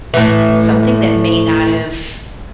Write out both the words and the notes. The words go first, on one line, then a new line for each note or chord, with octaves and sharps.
something that may not have
A2 E3